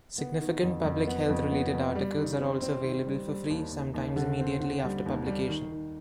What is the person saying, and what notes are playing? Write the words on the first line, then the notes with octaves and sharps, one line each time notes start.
Significant public-health related articles are also available for free, sometimes immediately after publication.
B3
D#3
F2
F2
B3
F2
B3
F2
G3
D#3
C4
C4
D#3
G3
G3
D#2
D#2
D#2
D3
C4
D3
G3
D#2
G3
D#3
D#3